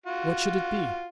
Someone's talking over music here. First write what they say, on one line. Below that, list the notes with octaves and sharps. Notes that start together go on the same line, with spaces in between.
What should it be?
F4 F#4